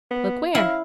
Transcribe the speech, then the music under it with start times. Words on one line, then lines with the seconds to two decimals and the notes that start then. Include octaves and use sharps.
"Look where?"
0.10 B3
0.55 E4 F5